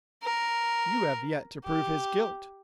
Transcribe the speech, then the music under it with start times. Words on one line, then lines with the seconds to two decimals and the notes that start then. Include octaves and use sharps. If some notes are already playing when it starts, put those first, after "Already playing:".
"You have yet to prove his guilt."
0.24 A#4
1.65 G4